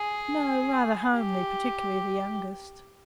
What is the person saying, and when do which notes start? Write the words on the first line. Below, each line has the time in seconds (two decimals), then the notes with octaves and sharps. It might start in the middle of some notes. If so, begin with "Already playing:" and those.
'No, rather homely, particularly the youngest.'
Already playing: G#4
1.14 G4